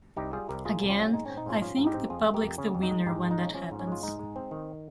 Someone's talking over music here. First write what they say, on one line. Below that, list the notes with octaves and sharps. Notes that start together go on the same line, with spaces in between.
Again, I think the public is the winner when that happens.
C2 D#4 G4
G3 F4 G#4
C2 G4 A#4
A#2 F4 G#4
C2
C#4 F4
G3
G#2 D#4
C4 C#4
D#4
G#2 C#4 F4
F3 C#4 F4
G#2
D#4 G4
C4
F2 F4 G#4
G#3
G4 A#4
F2
C#3 C#4
F2
D#4
G#3
G#2 D#4 G4
G#3
D#4
C#4
F3 C#4
G#2
C#4
G#3 F4
G#2 D#4
G#3
C4
D#3